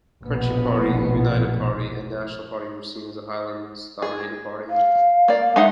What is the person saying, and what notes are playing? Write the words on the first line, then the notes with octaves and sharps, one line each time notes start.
Country Party, United Party and National Party were seen as a Highlands dominated Party.
F1 A#1 B2 B3
G#4
F5
A#3 D5
G#3 D#4 E5 F#5